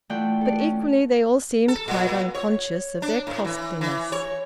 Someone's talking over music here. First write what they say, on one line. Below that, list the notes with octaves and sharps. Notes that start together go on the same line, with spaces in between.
But equally, they all seemed quite unconscious of their costliness.
E3 A3 F4 D5 F#5 G5
A4 D5
C#4
A4
A#2
C#5
D4
A2
E3
E3
C#5